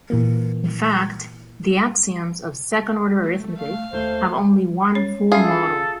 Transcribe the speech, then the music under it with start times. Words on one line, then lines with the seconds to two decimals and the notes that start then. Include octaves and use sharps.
In fact, the axioms of second-order arithmetic have only one full model.
0.10 A#2 E3 A#3
3.23 A3
3.57 F5
3.93 D#2 A3 C5
4.95 C#4 C#5
5.32 C#4 F4 G#4 A4 E5